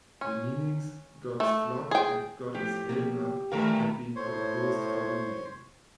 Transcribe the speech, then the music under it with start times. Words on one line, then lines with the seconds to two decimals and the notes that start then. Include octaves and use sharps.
The meanings "God's flock" and "God is helper" have been proposed for the name.
0.21 C#4
1.40 A3
1.91 G#4 G5
2.55 A2 F3 G4
2.89 B2 F3 A#3
3.52 G2 D#3 E3 A3 A4 A#4 F5
4.16 A2 C5 C#5